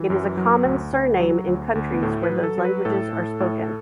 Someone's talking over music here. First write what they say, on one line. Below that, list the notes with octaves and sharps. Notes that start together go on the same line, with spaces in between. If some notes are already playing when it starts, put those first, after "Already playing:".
It is a common surname in countries where those languages are spoken.
Already playing: E3 F#3
F#2
F#3
D2
D2
F#3
D2
D2
B3
A2 A3
B4
F#3
A4
F#3
B4
A2 A4
A2
A2